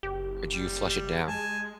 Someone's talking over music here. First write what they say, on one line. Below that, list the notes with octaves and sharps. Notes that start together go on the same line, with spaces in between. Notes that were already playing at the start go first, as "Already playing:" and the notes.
or do you flush it down?
F#1 G4
G3
G#3 G#5 A5